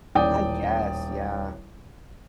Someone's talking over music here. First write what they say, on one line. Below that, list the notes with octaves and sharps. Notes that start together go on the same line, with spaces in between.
I guess, yeah.
D#1 A1 D5 G5 D#6